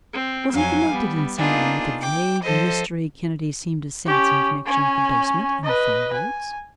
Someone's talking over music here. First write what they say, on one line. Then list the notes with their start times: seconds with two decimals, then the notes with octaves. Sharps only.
Was he connected in some way with the vague mystery Kennedy seemed to sense in connection with the basement and the film vaults?
0.13 C4
0.52 F2 F#3 F5 G#5
0.89 G3 B3
1.37 A#3 B3 D4 D#4 F4 G#4
2.01 G5 D6
2.43 F3 A4 C5 D#5
4.06 C#4 G4
4.66 C#4 G#5
5.63 B4 D#5
6.13 G#5